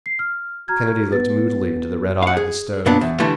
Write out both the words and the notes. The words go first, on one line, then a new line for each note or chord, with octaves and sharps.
Kennedy looked moodily into the red eye of the stove.
C7
F6
F#4 A#5 F6 G#6
B3 B4 A6
F5 F#5
G#4
A#2 B3 D4
E2
D3 E3 G3 A3 A4